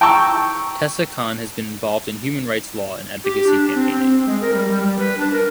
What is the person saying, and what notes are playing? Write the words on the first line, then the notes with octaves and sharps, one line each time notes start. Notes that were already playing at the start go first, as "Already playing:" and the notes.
Tessa Khan has been involved in human rights law and advocacy campaigning.
G5 A5 A#5 C#6 E6
G4
D4
C4
C4
G#3
A#4
G3
G3
G3
B4
D4
A#4